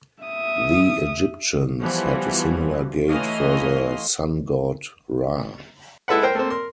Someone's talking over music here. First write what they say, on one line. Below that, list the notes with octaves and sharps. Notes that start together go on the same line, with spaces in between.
The Egyptians had a similar gate for their Sun-God, Ra.
E5 D#6
E3 F3 G3 B3 F#4
E3 A3 C#5 D#5 F5 C6
G#3 E4 A4 B4 F#5
A#4 C5 G5
A3 A#3 C4
A#4 C6